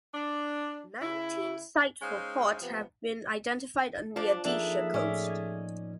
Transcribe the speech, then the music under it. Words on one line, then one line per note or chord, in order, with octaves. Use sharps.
Nineteen sites for ports have been identified on the Odisha coast.
D4
C#3 E4
G#3 C#4 D#4 C5 F5
C3 F3 B3
F3 D4 F4 D5
F3 A#3 D4 D#4 G#4 A4 E5
A2 C#4 D#4 D5 D6 F6
D#5 G#6